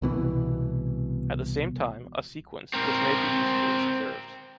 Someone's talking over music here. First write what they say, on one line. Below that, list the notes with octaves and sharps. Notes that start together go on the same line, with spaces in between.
At the same time, a sequence, which may be useful is observed.
C2 B2 E3
C4 A#4